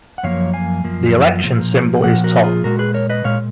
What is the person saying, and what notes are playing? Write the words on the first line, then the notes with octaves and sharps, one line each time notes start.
The election symbol is top.
F#5
F#2 F3 A#3 C#5 F5
F5 G#5
F#2 F3 A#3
A#2 F3 A#3
A#2 F3 A#3 F#5
F#4 A#4
F#4
F4 G#4
A#2 G#3 F#4 A#4
G#4 B4
A#4 C#5
B4 D#5
A#2 G#3 C#5 F5